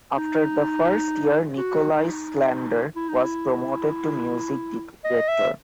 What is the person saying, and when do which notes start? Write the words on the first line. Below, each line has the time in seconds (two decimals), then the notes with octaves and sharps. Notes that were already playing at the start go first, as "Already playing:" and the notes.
After the first year, Nicole Sandler was promoted to Music Director.
0.18 D#4
1.57 F#4
1.91 D#4
2.96 E4
3.09 D#4
3.22 E4
5.04 D#5
5.28 E5